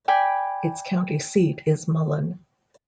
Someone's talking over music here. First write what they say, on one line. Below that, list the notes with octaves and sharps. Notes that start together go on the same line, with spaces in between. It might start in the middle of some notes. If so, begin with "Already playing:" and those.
Its county seat is Mullen.
D5 G5 G#5 B5